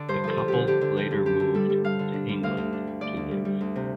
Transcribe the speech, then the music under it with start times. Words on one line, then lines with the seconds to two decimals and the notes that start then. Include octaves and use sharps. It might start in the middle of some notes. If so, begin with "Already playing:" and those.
The couple later moved to England to live.
Already playing: D3 D5
0.08 G2 C5
0.24 F3 A4
0.38 F3
0.48 D3 G4
0.67 D3 G4
0.81 D3
0.97 F3 G4
1.11 G2
1.26 D4 G4
1.40 D3
1.55 G3 A4
1.70 G3
1.84 G3 F5
1.99 D3
2.13 D4
2.29 G3
2.43 D2 F5
2.57 D2
2.73 D4
2.87 G3
3.01 D2 D5
3.17 D2
3.31 G3
3.45 G3
3.61 D2
3.76 C3